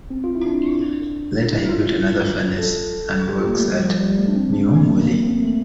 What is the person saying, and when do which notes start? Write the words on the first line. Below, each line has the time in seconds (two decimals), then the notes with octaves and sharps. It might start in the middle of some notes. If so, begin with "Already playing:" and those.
Later he built another furnace and works at New Willey.
0.10 C4
0.24 F4
0.35 E4
0.46 D4
1.52 E4
1.69 F4
2.58 A4
3.29 G4
3.38 F4
3.47 A#3
3.56 A3
3.65 G3
3.75 F3
3.87 F3
4.00 G3
4.18 A3
4.28 D4
4.35 C4
4.53 D4
4.71 A#3
4.83 A3
5.06 A#3
5.24 C4
5.42 A3